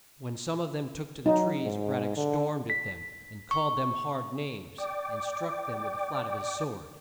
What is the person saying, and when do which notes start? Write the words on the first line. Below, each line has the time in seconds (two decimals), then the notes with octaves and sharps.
When some of them took to the trees, Brad-dock stormed at them, and called them hard names, and struck them with the flat of his sword.
1.26 F#3 D#4
1.65 G#2
2.16 D3
2.70 B6
3.51 C#6
4.78 D5 G5 D6